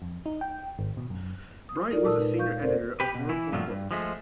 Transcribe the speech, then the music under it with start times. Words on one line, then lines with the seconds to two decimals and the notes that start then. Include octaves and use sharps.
Bryant was a senior editor of Wormhole Books.
0.02 F2
0.26 D#4
0.41 G5
0.79 G#1
0.97 B2
1.10 F#2
1.69 D#6
1.91 D#4 F4 A4 A#4 D5
2.05 A#2 G#3 A#4 A5 D#6 E6
2.19 D#4 B4
2.39 F5 C#6 G6
2.61 D#2 C4 A4 A#4 C5 D5
3.00 G4 B4
3.15 B2
3.29 E3 E4
3.52 G2 A#2 F3 F#3 A3 F4
3.69 G2
3.91 F3 G#3 A3